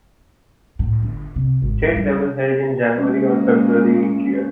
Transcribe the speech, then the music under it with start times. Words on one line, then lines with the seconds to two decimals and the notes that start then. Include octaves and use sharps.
State level held in January or February each year.
0.79 A2
1.02 G1
1.36 C3
1.62 G#1
1.82 G#2
1.96 G3
2.98 G#3 A#3 C#4